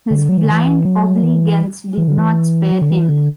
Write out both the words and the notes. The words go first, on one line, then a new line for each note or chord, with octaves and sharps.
His blind obedience did not spare him.
D3
F#3
E3
D3
E3
F#3
E3
E3
D3
E3
F#3
D3
E3
D3